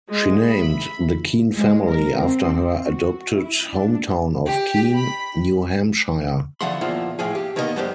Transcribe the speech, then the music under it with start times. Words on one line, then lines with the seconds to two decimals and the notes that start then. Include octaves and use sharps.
She named the Keene family after her adopted hometown of Keene, New Hampshire.
0.10 G#3
0.46 E5 B5
1.55 G#3
1.88 A#4
2.18 C4
2.86 F#4
3.33 E4
3.68 D4
4.45 G4
4.93 B5
6.61 D3 E3 F3 F#5 B5 C6
6.81 E2 A#2 F3
7.19 A2 F3 G#4
7.35 G4
7.56 D#3 A#3 B3 G#4 D#5
7.76 F#2 G#3 D4 G4 C5